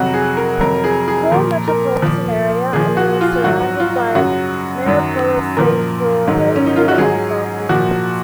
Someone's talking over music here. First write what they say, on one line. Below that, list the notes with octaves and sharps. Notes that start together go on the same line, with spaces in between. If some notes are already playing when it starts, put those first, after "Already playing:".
Paul metropolitan area and is surrounded by Minneapolis, Saint Paul, Roseville, and Falcon Heights.
Already playing: F2 C3 F#3 F#4
G#4
A#4
F2 C3 F#3 A#4
G#4
G#4
A#2 F3 A#4
A#4
A#2 F3
A#2 F3 G#4
F#4
F4
G#2 F#3 F#4
F4
F#2 C#3 F#3 F#4
F#2 D#3 F#3
A#2 F3 A#4
G#2 D#3 F#3
C#4
D#4
F4
F#4
G#2 F#3 G#4
A#2 F3 F#4